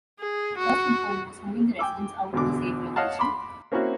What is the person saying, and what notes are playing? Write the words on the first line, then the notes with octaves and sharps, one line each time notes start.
First and foremost moving the residents out to a safe location.
G#4
F#4
G5 G#5 D6 E6
G#1 E2 B2 D3 D6
C#5 D#5 F5 F#5 A5
B5 C6 D6
A#3 C4 C#4 E4 F#4